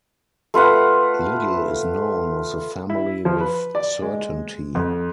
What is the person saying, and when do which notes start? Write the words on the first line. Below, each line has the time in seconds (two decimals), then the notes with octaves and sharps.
Little is known of the family with certainty.
0.54 A3 F4 B4 F#5
2.90 E4
3.25 F3
3.40 B4
3.75 D5
4.02 G#3
4.75 F2